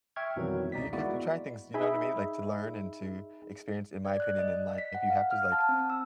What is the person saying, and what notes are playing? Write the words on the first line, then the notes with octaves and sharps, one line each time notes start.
you can you try things, you know what I mean? Like, to learn, and to experience in my opinion in life, if you have to, like,
E5 G5 C#6 F6 G#6
F2 B2 D#3 E3 F#3 G3
C#2 D#4 D5 B6
G#3 A#3 B3 E4 F#4 D5
D#4 G#4 D#5 E5 B5
D5
F#6
D#5
B6
F#5
F5
F6
A5
C4
E6